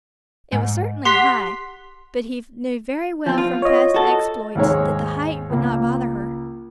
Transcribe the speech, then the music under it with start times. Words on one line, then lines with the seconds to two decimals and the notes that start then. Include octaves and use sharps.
It was certainly high, but he knew very well from past exploits that the height would not bother her.
0.52 G#2
1.05 G4 F#5 C6 B6 C7
3.26 F3 C4
3.38 F4
3.62 C#5 D#5
3.94 F#4 A4
4.55 D#2 G#2 G#3 C#5
5.50 C#2 A#3